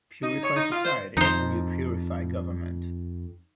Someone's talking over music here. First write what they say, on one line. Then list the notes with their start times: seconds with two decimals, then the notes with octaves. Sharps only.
Purify society and you purify government.
0.22 D#4
0.43 C#5
0.56 D#4
0.71 F4
0.84 C5
1.17 F2 D#4 C5